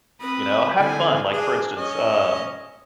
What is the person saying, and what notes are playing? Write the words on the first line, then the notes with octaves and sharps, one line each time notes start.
You know, have fun. Like, for instance, um,
C4 B4 D#6
D3 C4 E4 A4 G#5
D4 G#4
C#4 D#5